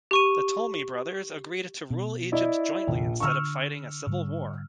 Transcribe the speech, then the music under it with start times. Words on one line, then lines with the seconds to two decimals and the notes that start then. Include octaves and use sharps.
The Ptolemy brothers agreed to rule Egypt jointly instead of fighting a civil war.
0.11 G4 C#6 D#7
1.90 B2 B3
2.32 E4 D5 D#5
2.87 A#1 E2 C3 D#3
3.20 D3 D4 C#6 E6 F6
4.07 G#2 D3 G3